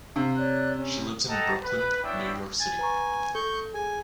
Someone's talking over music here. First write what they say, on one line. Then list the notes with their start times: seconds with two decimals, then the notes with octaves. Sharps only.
She lives in Brooklyn, New York City.
0.16 C3 F5
0.37 C#5 D5 F#6
0.76 C#4
1.29 A4 D#5 F#5 G5 A5 A#5
1.63 B4
2.03 B3 D4 E4 C#5 E5 G5
2.60 G#5 A6
2.79 B4 A#5 C#6
3.35 A4 C#6 G6
3.74 G#4 G#5